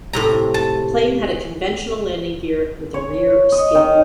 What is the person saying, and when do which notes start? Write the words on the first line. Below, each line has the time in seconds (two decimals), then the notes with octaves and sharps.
The plane had a conventional landing gear, with a rear skid.
0.13 A2 C3 A#5
0.54 A5
2.94 C#5
3.52 D#5
3.75 D#3